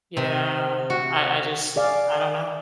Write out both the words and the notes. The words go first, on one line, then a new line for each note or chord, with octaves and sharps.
Yeah. I I just I don't know.
C3
F#4
G#4 D5 F5